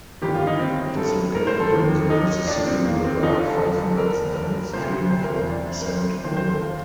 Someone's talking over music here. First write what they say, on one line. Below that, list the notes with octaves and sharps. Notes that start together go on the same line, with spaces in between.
It is located on the Mississippi River, five miles downstream from Saint Paul.
G1 F2 D#3 G4
F4
D#4
C4
A4
A#4
C5
A4
D#2 D#3
D#4
D4
C4
A#3
C4
F1 F2 D3 F3 D#4
F4
A4
A#4
D2 C3 F3 C5
C5
A#4
C5
D5
A#4
C5
F1 F2 D#3 C5
C5
A4
F4